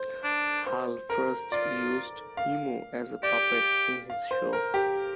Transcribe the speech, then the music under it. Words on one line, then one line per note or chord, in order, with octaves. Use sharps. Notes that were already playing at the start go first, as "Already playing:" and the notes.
Hull first used Emu as a puppet in this show.
Already playing: C5
D4
C5
A#4
F4 D5
F5
G4 D5
F5
C5
A#4
G4